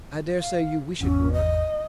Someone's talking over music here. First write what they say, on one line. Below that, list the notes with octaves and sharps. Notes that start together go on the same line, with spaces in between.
"I dare say you wish it were."
F5
G#1 E2 C#4
D#5